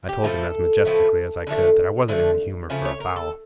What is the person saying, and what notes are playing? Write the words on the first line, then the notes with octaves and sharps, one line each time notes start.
I told him, as majestically as I could, that I wasn't in the humour for a fowl.
G4
A2 F3 A3 A4
A2 F3 A3
D3 F3 A3
D3 F3 A3
C#3 F3 A3
C#5
A#4
A4